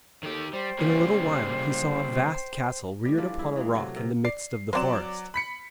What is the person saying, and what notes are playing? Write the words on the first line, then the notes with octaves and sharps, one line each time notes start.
In a little while he saw a vast castle reared upon a rock in the midst of the forest.
D#3 G4 A4 D#5
G3 C5 G5
C#3 G3 A#3
A2 G3
E3 G3 D4 F4
G#3 E4
E3 G#3 A#3 C#5
C3 F#3 A3
C3 A#4
D5 C7
F#3 C4 C5 D5 E7
B5 B6 C#7